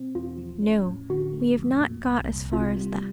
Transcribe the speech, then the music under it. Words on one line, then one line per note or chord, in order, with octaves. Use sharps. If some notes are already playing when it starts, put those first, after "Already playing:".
No; we have not got as far as that.
Already playing: B2 C4
E2 F4
F3
C#4
A2
D3 F#4
A3
F2
A#2
C2
C2
C3 F4
G3